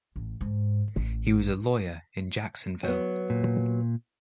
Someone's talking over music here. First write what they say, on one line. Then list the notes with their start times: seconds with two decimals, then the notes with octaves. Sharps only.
He was a lawyer in Jacksonville.
0.16 A1
0.41 G#2
0.96 A1
2.83 F#3 B3
3.30 A#2